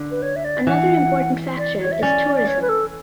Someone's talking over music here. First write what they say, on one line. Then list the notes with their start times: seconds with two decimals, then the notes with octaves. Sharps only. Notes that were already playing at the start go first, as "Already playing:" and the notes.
Another important factor is tourism.
Already playing: D3
0.11 B4
0.22 C#5
0.36 E5
0.45 D5
0.67 E3 F#5
1.58 D5
1.80 C#5
1.92 E5
2.02 C#4 D5
2.35 D5
2.47 C#5
2.62 B4
2.69 A4